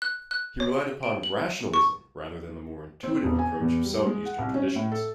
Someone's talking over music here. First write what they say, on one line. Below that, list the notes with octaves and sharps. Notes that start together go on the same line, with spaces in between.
He relied upon rationalism rather than the more intuitive approach of some Eastern traditions.
F#6
F#6
C#5
D7
F#7
C#6
C4
E1
G#5
E2
G3
G#3
F#5
C2
C#4
A2
A4